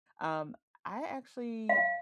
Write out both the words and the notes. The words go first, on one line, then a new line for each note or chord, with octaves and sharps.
um, I actually
F5